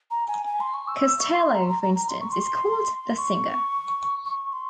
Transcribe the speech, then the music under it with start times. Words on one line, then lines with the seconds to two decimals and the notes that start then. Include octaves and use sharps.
Costello, for instance, is called the singer.
0.11 A#5
0.28 G#5
0.46 G#5
0.60 C6
0.74 C#6
0.88 E6
1.01 E6
1.19 C#6
1.37 C6
1.54 A#5
1.69 A#5
1.83 A#5
1.95 A#5
2.09 C6
2.21 C#6
2.31 C6
3.17 C#6
4.25 C#6
4.53 C6